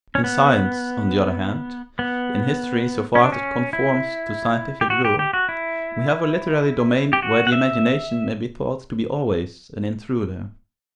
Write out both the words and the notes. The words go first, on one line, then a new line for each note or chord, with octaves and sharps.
In science, on the other hand, in history so far as it conforms to scientific rule, we have a literary domain where the imagination may be thought to be always an intruder.
C#4
B3
B3
C#4
D4
C#4
E4
G4
F#4
G4
G4
F#4
E4
G4
F#4
F#5
E5